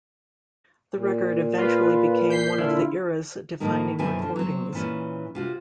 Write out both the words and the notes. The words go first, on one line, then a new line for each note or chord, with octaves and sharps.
The record eventually became one of the era's defining recordings.
A#2
F4 B4
G6 B6 C7
D3 E4 F4
A2 D#3 A#3 D#4
F#2 B2 E3 C4 E4 G#5
D3 F3
F#3 C4
A#2 E3 C#4
C3 F4 F#4